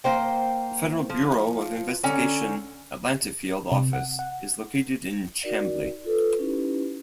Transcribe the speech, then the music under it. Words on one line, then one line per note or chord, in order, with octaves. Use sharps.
The Federal Bureau of Investigation Atlanta Field Office is located in Chamblee.
A#3 C5 G5
F3
D3 C#4 A#5
C3
F#5
F#5
D#4 F#4 A#4 D5
F4 A4 B4
C#4 D#4 E4 G4 B4